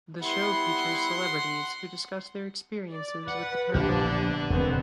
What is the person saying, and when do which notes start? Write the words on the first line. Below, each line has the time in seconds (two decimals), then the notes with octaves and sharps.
The show features celebrities who discuss their experiences with the paranormal.
0.21 G3 B3 E4 F#5 C6
2.92 D5
3.28 B4 F#5
3.74 A#1 D3 B3 D4 G4
4.50 E1 B2 B3 C4